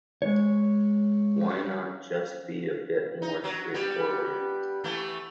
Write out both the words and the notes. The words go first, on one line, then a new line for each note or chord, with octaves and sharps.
Why not just be a bit more straightforward?
G#3 C#5
D#4
F#3
G3 B3
E3 A3